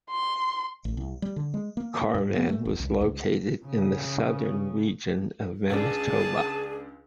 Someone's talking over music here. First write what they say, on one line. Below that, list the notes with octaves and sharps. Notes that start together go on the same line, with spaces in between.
Carman was located in the southern region of Manitoba.
C6
A1
C2
G3
D3
G#3
A#3
G#2
B3
A3
E1
C2
C#2
C#3
C#2 D4 G#4 A5